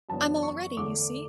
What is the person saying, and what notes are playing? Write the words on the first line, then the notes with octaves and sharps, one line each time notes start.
I'm all ready, you see.
F#2 C#3 E3 B3 D4 A5
C#6
E2 D3 A3 D6